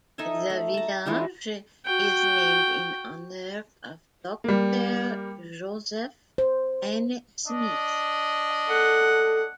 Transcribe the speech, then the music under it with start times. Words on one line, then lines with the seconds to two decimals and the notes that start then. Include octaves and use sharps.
The village is named in honor of Doctor Joseph N. Smith.
0.18 D#4 A4 E5 G#5
0.50 A3
0.74 A5 A#5
1.06 E3 G#3 D4 F4
1.86 F#4 G5
4.44 G3 A#3
6.38 C5
7.47 D4 D#5
8.70 A4 F#5